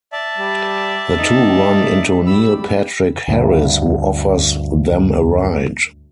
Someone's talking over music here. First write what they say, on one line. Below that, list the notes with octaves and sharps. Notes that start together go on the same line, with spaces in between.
The two run into Neil Patrick Harris, who offers them a ride.
D5 E5 A5
G3
D#4
G3 B5 E6
D2 G2